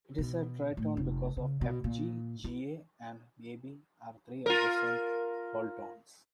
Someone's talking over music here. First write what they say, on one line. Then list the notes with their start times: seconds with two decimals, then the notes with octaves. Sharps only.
It is a tritone because F-G, G-A, and A-B are three adjacent whole tones.
0.18 B2
0.77 A2
0.97 F1
1.37 C#3
1.61 B2
1.84 A#2
2.44 E4
4.46 F4 A#4